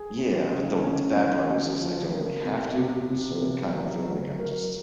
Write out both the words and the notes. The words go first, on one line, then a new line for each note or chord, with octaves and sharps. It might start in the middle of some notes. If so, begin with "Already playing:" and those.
Yeah, but the the bad part is is I don't really have to, so I kinda feel like I'm just
Already playing: G#4
C#4
C#3
C#4
C#4
C#4
F3
A#3
C3 A4
C3
C3
C3
F#3
F#3
F#3 A#4